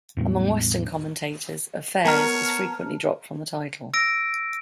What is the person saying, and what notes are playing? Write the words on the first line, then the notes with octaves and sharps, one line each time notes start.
Among Western commentators, "Affairs" is frequently dropped from the title.
E2 A2 G3 B3
B3 A#4 C#5 A5 A#5 F6
E6 A#6 D7